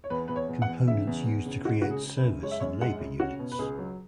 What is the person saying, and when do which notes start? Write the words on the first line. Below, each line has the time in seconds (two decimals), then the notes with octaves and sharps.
Components used to create service and labor units.
0.04 C#5
0.10 E2 B4
0.28 E2 B4
0.36 C#5
0.49 E2
0.62 F#5
0.68 E2
0.87 C#3 E5
1.07 E2
1.26 E2
1.46 C#3
1.65 G#3 F#4
1.82 C#3 F#4
1.91 G#4
2.03 C#3
2.17 B4
2.23 F#2
2.43 G#3 C#5
2.51 E5
2.60 F#2 C#5
2.81 G#3 F#5
3.01 C#3
3.19 C#4 F#4
3.39 B2
3.52 B4
3.59 C#2 G#4
3.78 F#3